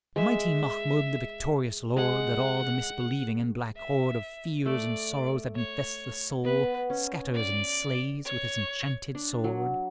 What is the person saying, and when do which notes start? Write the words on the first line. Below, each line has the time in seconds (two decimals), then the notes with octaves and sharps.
The mighty Mahmud, the victorious Lord, That all the misbelieving and black Horde Of Fears and Sorrows that infest the Soul Scatters and slays with his enchanted Sword.
0.16 G#3 E5
1.97 G#3 F#5
3.76 E5
4.65 A3 D5
5.56 C#5
6.45 B3 B4
6.90 C#4
7.34 D5
8.25 C#5
9.15 D4
9.44 F#3